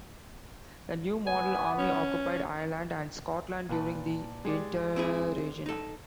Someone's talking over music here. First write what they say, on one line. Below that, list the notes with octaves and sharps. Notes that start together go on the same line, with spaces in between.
The New Model Army occupied Ireland and Scotland during the Interregnum.
B3 G#5
C#4
A#2 B4 A5
G#3 G4 D5
C4 E4 G#4
D#4 A4